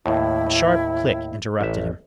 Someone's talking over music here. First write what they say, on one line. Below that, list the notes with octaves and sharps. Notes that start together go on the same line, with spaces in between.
A sharp click interrupted him.
D#2 A2 E4
A1 E5